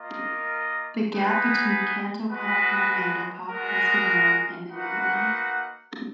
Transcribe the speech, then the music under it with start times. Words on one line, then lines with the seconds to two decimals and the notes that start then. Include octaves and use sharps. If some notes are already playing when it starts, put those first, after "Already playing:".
The gap between cantopop and mandopop has been narrowing in the new millennium.
Already playing: A#3 F4 A#4 D#5
1.10 B3 D#4 G#4 B4
2.29 G#3 B3 F#4 B4
3.49 G#3 B3 F#4 A#4
4.69 A#3 D#4 F#4 B4 F#5